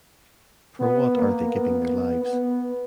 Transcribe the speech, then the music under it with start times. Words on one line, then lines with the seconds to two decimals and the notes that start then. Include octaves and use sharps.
For what are they giving their lives?
0.80 B3
1.16 A#3
1.53 B3
2.24 B3